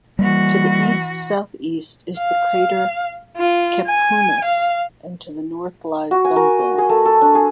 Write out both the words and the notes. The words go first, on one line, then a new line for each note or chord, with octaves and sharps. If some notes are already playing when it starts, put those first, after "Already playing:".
To the east-southeast is the crater Capuanus, and to the north lies Dunthorne.
E3 G3 A#3 F#4
F5
F4
G#5
F5
F#4
G#5
A#4
D#5
G#4
A3
A4
D4
G#4